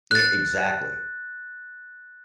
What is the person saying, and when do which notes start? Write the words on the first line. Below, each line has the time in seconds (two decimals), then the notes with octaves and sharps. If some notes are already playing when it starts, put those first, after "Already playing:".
E exactly,
0.11 F#6 A6